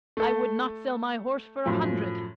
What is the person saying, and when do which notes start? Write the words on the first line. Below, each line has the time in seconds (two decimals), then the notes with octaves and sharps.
I would not sell my horse for a hundred.
0.17 A3 A4
1.66 F#2 A2 F3